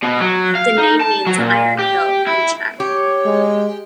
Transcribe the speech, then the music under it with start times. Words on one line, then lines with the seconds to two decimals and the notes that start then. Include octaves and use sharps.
The name means "iron hill" in Czech.
0.03 B2
0.21 F#3
0.55 F5
0.78 D#4
1.01 A5
1.27 F#3
1.38 A#2
1.79 G4
2.27 E4
2.80 G4 C#5
3.26 G#3